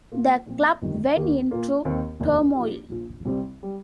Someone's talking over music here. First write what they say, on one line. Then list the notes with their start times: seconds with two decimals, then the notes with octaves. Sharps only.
The club went into turmoil.
0.11 A#2 A#3 F4
0.46 A#2 F3 C4
0.82 G1 F2 D#3 G3
1.16 D#2 D#3 A#3 D#4 G4
1.51 A#2 A#3 F4
1.85 D#2 D#3 C4
2.20 F1 D#2 D#3
2.54 A#2 F3 D#4 G4
2.89 A#1 A#2 F3
3.25 C2 C3 G3 C4
3.63 G3